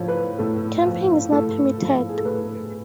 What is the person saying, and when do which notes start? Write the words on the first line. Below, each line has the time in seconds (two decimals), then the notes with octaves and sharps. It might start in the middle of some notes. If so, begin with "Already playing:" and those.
Camping is not permitted.
Already playing: A2 F3 C#5
0.08 B4
0.38 A2 A4
0.86 F3
1.32 A2 A4
1.78 F3
2.09 G#4
2.17 A4
2.25 A2 B4